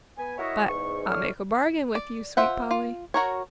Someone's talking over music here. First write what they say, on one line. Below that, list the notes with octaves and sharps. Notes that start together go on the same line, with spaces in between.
But I'll make a bargain with you, sweet Polly.
B3 G#5
E4 F#4 A#4 C#5 D#5 E5
E2 G#2 C#6
C#2 A2 D4 C#5 F6
D5
F4 C5 E5 F#5
F4
F#4 A#4 C#5